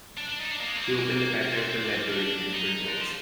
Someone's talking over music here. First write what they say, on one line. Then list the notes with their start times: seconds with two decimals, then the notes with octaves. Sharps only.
He opened the Patriarchal Library and Print Works.
0.17 D4
0.29 D4
0.40 D#4
0.51 D4
0.60 A#3
0.68 G#3
0.77 C4
0.84 A#3
0.91 G#3
0.98 A#3
1.18 A#3
1.51 C4
1.85 D4
1.94 C4
2.03 A#3
2.11 D4
2.54 D#4
2.87 D4
2.97 F3